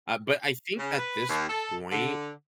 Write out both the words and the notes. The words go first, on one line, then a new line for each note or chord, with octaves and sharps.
Uh, but I think at this point
C#3
B4
D#2
A4
D3